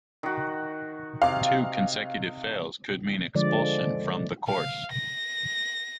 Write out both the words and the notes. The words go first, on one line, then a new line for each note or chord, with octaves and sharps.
Two consecutive fails could mean expulsion from the course.
D#3 F#4
C3 D#5 F5 D6
D3 F3 G#3 D5
F5
A#6